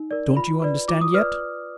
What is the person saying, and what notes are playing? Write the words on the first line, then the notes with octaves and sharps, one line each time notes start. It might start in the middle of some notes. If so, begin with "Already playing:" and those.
"Don't you understand yet?"
Already playing: D#4
A#4 D5
F4 B5
B4 D5
F4 D6
D#6
B4 D5 F6